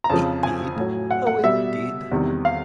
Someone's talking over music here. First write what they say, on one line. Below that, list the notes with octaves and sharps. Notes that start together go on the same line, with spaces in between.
It did, oh it did.
A#5
F2 C#3 F3 A5
G#5
A2 F#3
F#5
F#5
B2 G3 E5
E2 C3 D#3 G3
F5